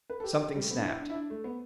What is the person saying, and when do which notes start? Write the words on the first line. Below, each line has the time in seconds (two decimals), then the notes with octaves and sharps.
Something snapped.
0.10 B4
0.20 A4
0.24 G4
0.55 G3
0.63 A3
0.71 B3
0.77 D4
0.85 E4
1.00 D4
1.10 E4
1.14 D4
1.30 A3
1.44 B3